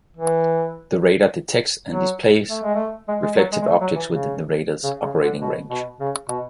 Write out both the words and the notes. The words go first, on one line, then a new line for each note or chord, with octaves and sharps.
The radar detects and displays reflective objects within the radar's operating range.
E3
F#3
A3
G#3
A3
G#3
G#3
F#3
G#3
G#3
A3
F#3
E3
C#3
C#3
C#3
D3
B2
B2
C#3
B2